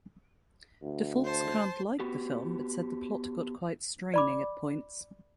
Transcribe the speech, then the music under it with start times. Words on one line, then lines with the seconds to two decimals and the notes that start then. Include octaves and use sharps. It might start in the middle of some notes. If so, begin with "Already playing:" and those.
De Volkskrant liked the film but said the plot got quite straining at points.
0.82 D2
1.25 C5 A5
2.00 B3 F#4 G4
4.14 D5 B5 D6